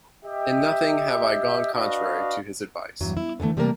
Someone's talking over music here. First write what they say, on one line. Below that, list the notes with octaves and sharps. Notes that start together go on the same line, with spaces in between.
In nothing have I gone contrary to his advice.
G4 D#5 E5
D4 F#4 B4 D5 D#5 F5
E2 G2 F#3
E4
D3 E3 F#3 A3
C3 G3 A3 A#3 A#4